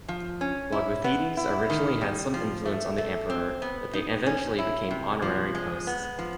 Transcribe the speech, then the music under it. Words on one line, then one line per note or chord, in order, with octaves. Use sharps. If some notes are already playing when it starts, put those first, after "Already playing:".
Logothetes originally had some influence on the emperor, but they eventually became honorary posts.
F3
C#4
E4
B3
E4
D#3
G3
F3
A3
A3
C4
B3
D#4
C#4
E4
C3
F3
G#3
B3
F3